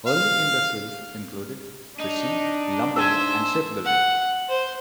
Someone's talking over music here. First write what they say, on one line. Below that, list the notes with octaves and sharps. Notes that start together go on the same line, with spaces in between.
Early industries included fishing, lumbering and shipbuilding.
F5
D4 D#4
C5 E5 G#5 A5 E6
F#5
C5